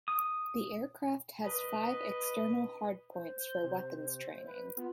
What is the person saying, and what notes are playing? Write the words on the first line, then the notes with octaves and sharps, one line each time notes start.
The aircraft has five external hardpoints for weapons-training.
D#6
B4 D#5
C5
G6
C3
B4
B3 F4